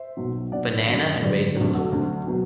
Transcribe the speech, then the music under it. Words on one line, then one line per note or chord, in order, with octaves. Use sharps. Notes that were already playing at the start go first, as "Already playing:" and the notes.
Banana and raisin loaf.
Already playing: C5 E5
B1 B2 F#3
B1 B2 F#3 D5 F#5
G1 F#2 D3 F#3
G1 F#2 D3 F#3 B4 D5
D2 C3 F#3
F#4 A4
D2 C3 F#3
B2 F#3